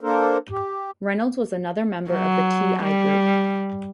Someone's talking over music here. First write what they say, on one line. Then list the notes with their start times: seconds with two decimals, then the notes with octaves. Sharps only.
Reynolds was another member of the T I Group.
0.01 A#3 D4 A4 A#4 C5
0.51 G4
2.10 F#3
2.83 G3